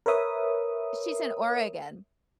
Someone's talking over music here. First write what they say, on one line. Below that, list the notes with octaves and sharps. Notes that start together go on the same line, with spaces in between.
She's in Oregon.
A#4 B4 C#5 E5 D#6